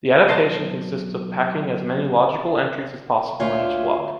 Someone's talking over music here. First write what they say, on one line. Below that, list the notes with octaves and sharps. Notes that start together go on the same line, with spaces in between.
The adaptation consists of packing as many logical entries as possible in each block.
B1 C5 D#5 A5
D2 F4 C#5 E5 G#5